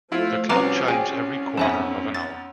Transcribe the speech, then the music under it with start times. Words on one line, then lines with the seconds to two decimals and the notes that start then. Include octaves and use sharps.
The clock chimes every quarter of an hour.
0.12 F3 A3 E4 F4
0.50 C2 F3 C#4 F#4 B4 A#5 D6
0.88 C#4 G#4 G5 G#5
1.58 B1 F2 E5 G#5 A5
2.15 A6